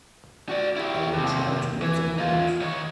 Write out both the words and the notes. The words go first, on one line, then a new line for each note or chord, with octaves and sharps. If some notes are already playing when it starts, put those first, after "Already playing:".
I will try to get them out.
F#4 D5
E4 G4
D#2 C3
E3
D#4 F4
D#3 C#5